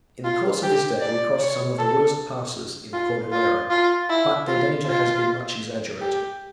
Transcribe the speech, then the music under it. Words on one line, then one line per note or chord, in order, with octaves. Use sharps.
In the course of this day we crossed some of the worst passes in the Cordillera, but their danger has been much exaggerated.
F4
G4
D5
C#5
A4
F4
F4
F4
E4
F4
F4
G4